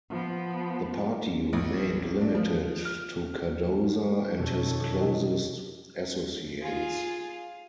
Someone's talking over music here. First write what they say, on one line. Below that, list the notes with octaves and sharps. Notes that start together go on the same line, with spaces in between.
The party remained limited to Cardoza and his closest associates.
F3 B3
A#1
D4
F3
F6
F2 B2 D#3 A4 C#5
C3 E3 D#5
F4 G#4